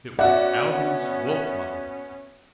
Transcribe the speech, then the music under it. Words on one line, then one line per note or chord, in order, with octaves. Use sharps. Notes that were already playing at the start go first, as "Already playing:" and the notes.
It was Ailbe's wolf-mother.
B3 C#4 F#4 D5 E5 F#5